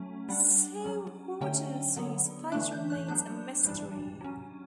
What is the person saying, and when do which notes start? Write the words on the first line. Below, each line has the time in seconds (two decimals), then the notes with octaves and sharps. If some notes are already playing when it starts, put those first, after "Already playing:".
So Hortense's fate remains a mystery.
Already playing: F#3 A3 C#4
0.29 G3 D4 F#5
0.84 F#3 C#4
1.41 D3 F#3 A3 C#4 G5
1.96 D3 F#3 B3
2.52 E3 A3 D4 F#6
2.71 G6
2.90 F#6
3.08 F#3 B3 D4 G6
3.65 E3 G3 D4
4.21 F#3 C#4